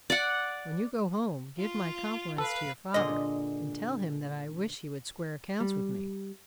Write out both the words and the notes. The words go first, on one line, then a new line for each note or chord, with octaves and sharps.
When you go home give my compliments to your father and tell him that I wish he would square accounts with me.
D5 F#5
F4
A4 B4 F5
A#2 D3 G#3 D#5
G3